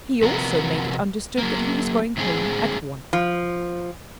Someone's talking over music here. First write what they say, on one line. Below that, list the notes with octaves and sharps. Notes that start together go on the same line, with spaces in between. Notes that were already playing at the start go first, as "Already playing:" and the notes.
He also made it understood that he was going home at once.
C3 F3 C4 F#4 A#4 B4
F#3 A#3
A2 D3 G#3 C4 G#4
F3